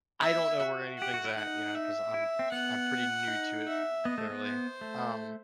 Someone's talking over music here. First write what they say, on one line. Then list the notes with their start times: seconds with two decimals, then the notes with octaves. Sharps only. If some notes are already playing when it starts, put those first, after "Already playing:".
I don't know where anything's at, you know, 'cause I'm I'm pretty new to it fairly, um,
0.21 E4 E5
0.60 F#4
0.98 G4 F#5
1.14 F#4
1.25 E4
1.36 D#4 F#5
1.75 E5
2.14 E4
2.39 C4
2.52 B3 F#5
3.28 D#4
3.67 E5
4.05 B3 D#5
4.18 A3
4.30 B3
4.44 C5
4.81 A3